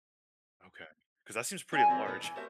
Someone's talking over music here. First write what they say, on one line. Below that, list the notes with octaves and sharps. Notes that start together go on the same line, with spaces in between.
Okay, 'cause that seems pretty large.
C#4 E4 G#4 D5 G#5
E3 C4 G#4 A#4 C5
A2 B3 D#4 A4 B4
E3 G#5
A3 F#4 G4 A#4 C5 E5